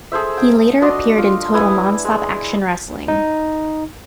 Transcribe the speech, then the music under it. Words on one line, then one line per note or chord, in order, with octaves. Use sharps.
He later appeared in Total Nonstop Action Wrestling.
G#4 A4 C5 E5
G5
D4 F#4 D#5 C6
F4
B3 E4 G#5
G#3
D#4